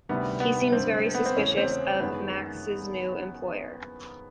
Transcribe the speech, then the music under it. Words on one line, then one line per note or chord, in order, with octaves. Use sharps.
He seems very suspicious of Maks's new employers.
D2 C3 D#3 G3 B3
B3
G2 D3 G3 C4
B3
C4
E2 C#3 E3 A3 C#4
C4
F#2 D#3 G#3 B3